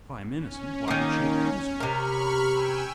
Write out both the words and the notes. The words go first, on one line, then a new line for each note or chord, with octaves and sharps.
"If I am innocent, why did she accuse me?"
C#4
D#3 A#3
C3 A#4 B5 C#6 F6
G5 G#5 E6